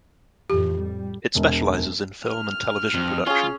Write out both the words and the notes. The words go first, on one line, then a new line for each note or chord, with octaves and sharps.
It specializes in film and television production.
F2 A2 E3 G4
G3
E1
F6
F2
C#4 F4 G#4 F5